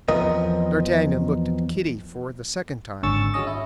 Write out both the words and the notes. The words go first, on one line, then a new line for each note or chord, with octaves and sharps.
D'Artagnan looked at Kitty for the second time.
E2 F3 B3 C4 A#4 D#5
G#1 D3 C#4 C#6 E6 A6
F#3 G#3 C#4 D#5
E4